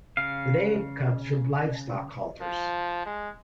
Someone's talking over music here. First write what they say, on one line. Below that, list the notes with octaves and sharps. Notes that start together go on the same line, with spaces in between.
The name comes from livestock halters.
C#3 F5
F3
G#3